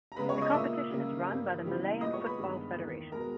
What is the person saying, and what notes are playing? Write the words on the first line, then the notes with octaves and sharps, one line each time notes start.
The competition is run by the Malian Football Federation.
A#5
C#3 G#3 B3 B4 B5
C#5 C#6
D#5 D#6
A#2 A#3 E5 E6
C#3 G3 A#3
G2 G3 A#3
C#3 E3 G3 B3
A#2 G#3 B3 D#5 D#6
C#5 C#6
B4 B5
G2 D#3 G#3 B3
E2 D#3 A#3
B2 G#3 B3 A#4 A#5